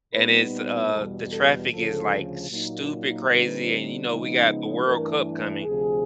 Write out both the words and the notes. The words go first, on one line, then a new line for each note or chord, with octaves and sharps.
and it's, uh the traffic is, like, stupid crazy, and, you know, we got the World Cup coming
A#2 G3 B3 D#4 B4
E2 B2 G3 A4
A4
D2 C#3 F3 A4
A#2 F#3 A#3 D#4
D3 G3 C4 D#4 B4
C#3 F3 G#3 B3 D#4
G2 E3 A3 D4 A#4
D2 C3 F3 G#4